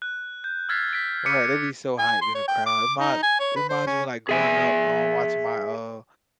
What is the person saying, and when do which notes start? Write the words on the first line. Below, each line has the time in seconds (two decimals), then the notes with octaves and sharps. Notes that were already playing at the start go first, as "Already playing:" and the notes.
Right, they'd be so hyped in the crowd. It mind it reminds me, like, growing up, um, watching my, uh,
0.02 F#6
0.44 G6
0.69 E6 F6 G#6 A6 B6 C7
0.93 B6 D7
1.26 D6 B6 C#7 D#7
1.99 G#5
2.22 C6
2.35 C#5
2.48 G5
2.66 D6
3.00 D#4
3.23 G#5
3.40 C#5
3.56 B4
3.69 C5
3.87 C#4
4.29 G#4 E5 G#5